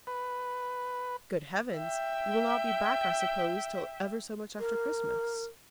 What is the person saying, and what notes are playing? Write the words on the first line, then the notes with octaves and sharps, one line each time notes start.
"Good heavens! you will not be back, I suppose, till ever so much after Christmas?"
B4
E5 G5
A#4